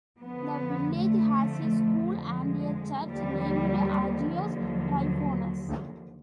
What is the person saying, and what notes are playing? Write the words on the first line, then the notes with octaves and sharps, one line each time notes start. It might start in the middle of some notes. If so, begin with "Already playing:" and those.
The village has a school and a church named Agios Tryphonas.
F2 D3 F3 B3
A3
G#3
D#2 D3 F3 G3
F#3